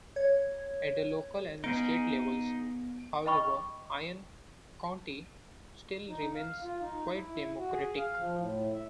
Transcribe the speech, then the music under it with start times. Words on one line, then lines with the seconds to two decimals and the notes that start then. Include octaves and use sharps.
At the local and state levels, however, Iron County still remains quite Democratic.
0.16 C#5 G#6
1.64 B3 D#4 G#4 D7
3.26 D#5 G5 B5 C#6 D6
6.08 D#4
6.34 F5
6.63 F4
6.81 D#4
7.13 E4
7.58 F#4
7.72 G#4
7.97 F5
8.17 F3
8.37 A2
8.73 E5